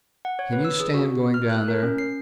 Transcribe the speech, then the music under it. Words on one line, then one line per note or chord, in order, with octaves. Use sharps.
Can you stand going down there?
F#5
C#5
B4
E6
G#4
F#4
F6
F#6
A#4
C#4
C7